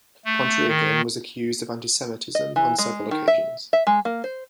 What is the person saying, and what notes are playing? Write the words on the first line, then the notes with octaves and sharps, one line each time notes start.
Pontryagin was accused of anti-Semitism on several occasions.
A3
D#3
D#5
E3
G#3
D#3
E5
E5
G#3
A#3
C5